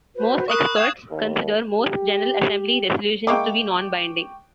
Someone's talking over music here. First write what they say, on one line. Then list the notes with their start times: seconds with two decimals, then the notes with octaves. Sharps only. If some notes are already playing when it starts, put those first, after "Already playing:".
Most experts consider most General Assembly resolutions to be non-binding.
0.16 F#4 B4 C5
0.48 A#4 B5 C#6 D#6 F#6
0.76 F5 G5 C#6 G#6 E7
1.10 D#2
1.78 G4
3.27 G#3 A#3 E4 G5 C#6 D6